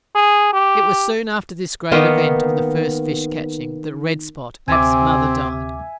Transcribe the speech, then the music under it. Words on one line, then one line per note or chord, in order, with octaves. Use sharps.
It was soon after this great event of the first fish-catching that Red-Spot, Ab's mother, died.
G#4
G4
D#3 A#3 B3 D#4
D2 C3 C4 E5 G#5 D6